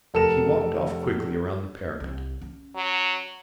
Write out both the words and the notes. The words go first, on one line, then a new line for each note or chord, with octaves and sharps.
He walked off quickly round the parapet.
F1 A4 A#4 E7
C2
C#4
F#3